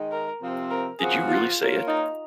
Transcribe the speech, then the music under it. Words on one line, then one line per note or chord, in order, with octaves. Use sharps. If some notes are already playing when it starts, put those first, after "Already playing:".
Did you really say it?
Already playing: D#3 G#3 D#4
A#4
C3 F3 C4
A#4
C#3 F3 C4 F#4 G#4
F4
A#3 F4 A#4 C#5
D#4